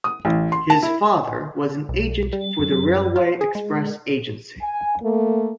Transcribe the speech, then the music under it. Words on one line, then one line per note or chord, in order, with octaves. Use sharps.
His father was an agent for the Railway Express Agency.
D#6
A1
C6
A5
E4
B1
G3
F#2
F#2
F4
G#4
G#3
G#5
A3 A#3